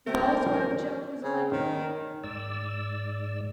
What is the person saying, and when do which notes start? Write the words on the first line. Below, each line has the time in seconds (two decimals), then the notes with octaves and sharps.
Ball's wife Jill is a librarian.
0.07 A3 G4 A#4 C5
1.24 C#3
1.52 D#3
2.24 G#2 D5 E6